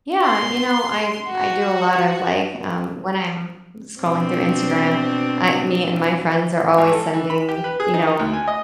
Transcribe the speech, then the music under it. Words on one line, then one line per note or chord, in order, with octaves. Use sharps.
Yeah, you know, I I do a lot of, like, um when I'm scrolling through Instagram, I me and my friends are always sending you know,
C6
F#4
B2 C4 D4
G#1
A4
E3
B5
G4
B4
G#4
D#4
D#4
D2
G#5
D#5